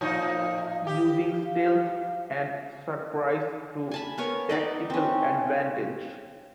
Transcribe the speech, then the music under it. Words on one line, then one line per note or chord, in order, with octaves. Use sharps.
Using stealth and surprise to tactical advantage.
A2 F3 D#4 F5
G4
F5
G#5 A5 B5
B3 A#4 C#5 G#5
D#4 D5 D#5
C4 C#4